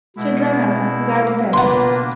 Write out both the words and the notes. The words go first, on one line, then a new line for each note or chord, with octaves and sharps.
She had rung up without effect.
B2 G#3 E4
B2 A#3 D4 F4 B4 F#5 C6